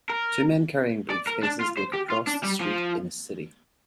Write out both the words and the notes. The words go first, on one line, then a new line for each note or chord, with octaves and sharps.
Two men carrying briefcases look across the street in a city.
A#4
D5
A#4
D4
F4
C5
G4
F4
D4
G3
F3